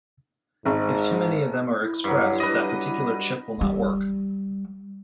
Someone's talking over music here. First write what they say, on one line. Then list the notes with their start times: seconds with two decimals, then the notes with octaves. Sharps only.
If too many of them are expressed, that particular chip will not work.
0.66 G#1 G#2
1.82 E4
2.04 G2 F#3
2.40 B4 D#5
3.61 G3